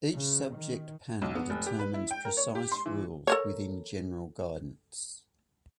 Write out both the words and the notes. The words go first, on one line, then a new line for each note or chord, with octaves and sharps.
Each subject panel determines precise rules within general guidance.
C#3
D#3
B1
B3
F1
G4
B4
E4
G5
A#4
C#5
G4
C6
E3
A4 A#4 C#5